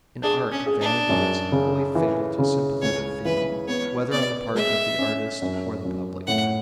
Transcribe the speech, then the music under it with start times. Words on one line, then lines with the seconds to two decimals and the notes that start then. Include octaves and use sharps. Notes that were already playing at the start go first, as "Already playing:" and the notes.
In art vanity is equally fatal to sympathetic feeling, whether on the part of the artist or the public.
0.23 D4 G#4
0.52 C#4
0.66 G#4
0.81 D4
1.09 F#2
1.52 C#3
1.95 E3
2.39 C#3
2.82 C#2 C#5
3.25 E3 B4
3.68 B3 C#5
4.12 B3 D5
4.55 G#3 E5
4.98 C#4
5.42 F#2
5.85 F#2
6.27 A2 F#5